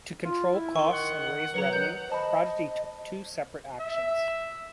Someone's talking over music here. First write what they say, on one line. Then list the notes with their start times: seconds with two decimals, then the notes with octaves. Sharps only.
To control costs and raise revenue, Prodigy took two separate actions.
0.25 F4
0.53 E4
0.76 D#3 C6 C#6
0.91 F#5
1.54 F#3 B4 C#5 A#5
1.73 D#3 F#5 G6
2.10 C5 D#5 A5 B5
3.80 E5